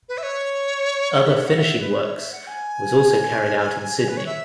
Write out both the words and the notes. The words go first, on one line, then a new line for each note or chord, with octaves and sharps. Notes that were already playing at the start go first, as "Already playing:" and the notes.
Other finishing works was also carried out in Sydney.
B4
E5
C#5
F#5
E5
C#5
F#5
E5
B4
C#5
E5
F#5
G#5
B4
C#5
E5